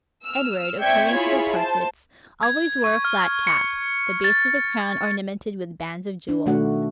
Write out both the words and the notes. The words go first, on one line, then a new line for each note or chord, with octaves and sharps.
Edward, according to the portraits, always wore a flat cap, the base of the crown ornamented with bands of jewels.
E6 F6
C4 D5 E5 G5 C#6 G#6
E4 F4 G#4 C#5 B5
C5 A5
G#6
C#6
F6
C#7
A6
D4
B2 D#3 A3 D4 F#4 F#5